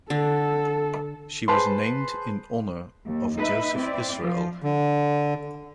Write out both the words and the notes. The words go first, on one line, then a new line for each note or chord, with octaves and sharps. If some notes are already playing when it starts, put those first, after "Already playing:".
She was named in honor of Joseph Israel.
D3 A4
G#4 B4 C5 A5 C6
D#2
D#4 B4 E5
C4 E4 D5
F3 F4
D3